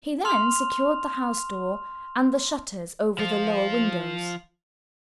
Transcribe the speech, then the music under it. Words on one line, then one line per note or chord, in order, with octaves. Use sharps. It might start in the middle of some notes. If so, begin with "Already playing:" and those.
He then secured the house door, and the shutters over the lower windows.
C6 F6 F7
F3 F4